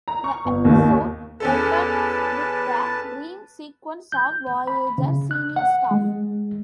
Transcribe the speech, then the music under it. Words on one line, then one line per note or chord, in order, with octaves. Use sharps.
The episode opens with the dream sequences of "Voyager" senior staff.
A#5
C#6
G1
D#2
E2 C#4 A4 B4 A5
G6
B5
C#3
F#6
F#5
G#3